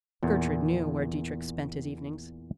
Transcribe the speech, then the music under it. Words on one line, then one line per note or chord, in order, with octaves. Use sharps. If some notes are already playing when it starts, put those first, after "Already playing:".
Gertrude knew where Dietrich spent his evenings.
E2 A#2